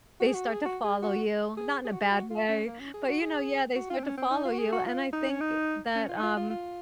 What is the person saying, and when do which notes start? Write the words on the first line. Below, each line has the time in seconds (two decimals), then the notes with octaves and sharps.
they start to follow you, not in a bad way, but, you know, yeah, they start to follow you, and I think that, um,
0.20 F#4
0.27 G#4
0.34 F#4
0.47 G#4
0.65 F#4
0.84 G#4
1.02 F#4
1.57 G#4
1.85 G#4
1.93 F#4
2.01 G#4
2.11 F#4
2.30 F4
2.48 C#4
2.67 A#3
2.80 C#4
2.94 G#4
3.08 F#4
3.22 G#4
3.76 F#4
3.90 F4
3.97 C4
4.04 C#4
4.18 C4
4.31 D#4
4.45 F4
4.52 F#4
4.59 G#4
4.72 F#4
4.86 F4
5.13 D#4
5.30 C#4
5.41 D#4
5.96 C#4
6.09 F4
6.17 D#4
6.23 F4
6.37 F4
6.50 F4